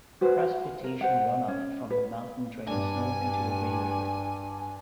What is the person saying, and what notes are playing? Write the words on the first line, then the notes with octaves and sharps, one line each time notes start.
Precipitation runoff from the mountain drains north into the Green River.
F#4 B4 C5 G#5
A#4
C5 F#5
C#4
B4
G2 D4 G#5